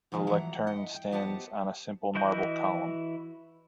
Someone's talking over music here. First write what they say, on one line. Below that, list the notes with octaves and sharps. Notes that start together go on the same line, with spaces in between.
The lectern stands on a simple marble column.
G#2 B2 D#3 F3 G#3 A#3
E2 E3 F#3 F#5 A#5
E4 D#5 F#5
G5
B3 G4 C5 D#5 F#5 A5
E3 E4 F#4 D#5 G6